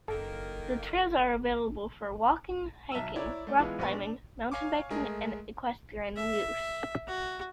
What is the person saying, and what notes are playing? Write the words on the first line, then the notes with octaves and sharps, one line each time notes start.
The trails are available for walking, hiking, rock climbing, mountain biking and equestrian use.
F#1 D#3 A#3 A4
B1 E5 A5 A#5 E6
E4 C#5 D5 A#5
A3 D5
E3 G#3 B3 E4 F4
A#1 B3 G4 B4 C#6
D4
C#5 F5 G#5 C#6 D6
G#3 A3 G#4 A#4 D#5
E5
F#4